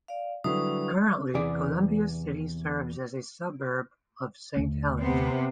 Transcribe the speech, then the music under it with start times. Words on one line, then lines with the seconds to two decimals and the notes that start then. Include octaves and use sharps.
Currently, Columbia City serves as a suburb of Saint Helens.
0.08 D5 F5
0.44 D3 F#3 G3 E4 B4 C#6 D#6
1.34 E2 C3 E3 G#4 D5
4.57 D#2 D3 A3
5.00 C3 B3 C4